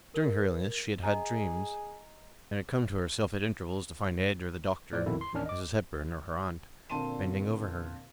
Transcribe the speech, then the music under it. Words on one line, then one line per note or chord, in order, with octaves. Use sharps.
During her illness she had had dreams, and had come to herself at intervals to find Ed or the doctor, Mrs. Hepburn or her aunt, bending over her.
A#4
G#4 D#5 A#5
A2 F3 D5
A#1 F2 B2 D#3 E4 A4
C6
A1 D#2 D#3 C#4 D4 F6
D#5 D6
A#2 D3 C4 A5 C6 D#7